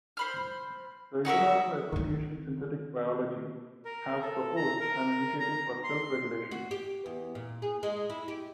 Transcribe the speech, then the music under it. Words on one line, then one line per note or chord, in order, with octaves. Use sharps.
The International Association Synthetic Biology has proposed an initiative for self-regulation.
C5 B5 F6
D#4 F#4 A#4 E5
D#3 C4
A#4
A4
A#5
A#4
A#5
C6
F#4
G4
E2
A#2
G#4
G#3
E4
G4